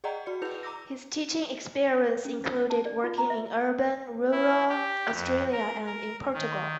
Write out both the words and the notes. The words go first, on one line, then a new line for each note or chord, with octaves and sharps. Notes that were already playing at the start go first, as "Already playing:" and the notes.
His teaching experience included working in urban, rural Australia and in Portugal.
G#4 D5 D#5 F#5 G5 A#5
F#4 D5 C#7
E4 G#4 B4 G6 F7
A#5 D6 E6 A#6
C#4
C5
A5
D5
F4
A#5
E5
E4
G4
F2
A#4
A#4
D#3